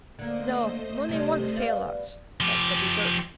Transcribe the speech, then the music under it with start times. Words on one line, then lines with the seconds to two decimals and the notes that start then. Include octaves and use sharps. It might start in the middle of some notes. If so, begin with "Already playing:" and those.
"No, Mooney won't fail us," said Buddy Girk.
0.19 D3 A3 A#3 C5 D#5
1.09 C3 G3 C#4
1.56 B3 D5 F5
2.40 F3 G4